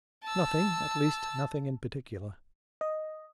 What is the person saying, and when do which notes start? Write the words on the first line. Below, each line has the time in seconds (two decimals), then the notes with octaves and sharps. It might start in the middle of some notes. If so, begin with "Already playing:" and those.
'Nothing, at least nothing in particular.
0.23 A5 E6
2.81 D#5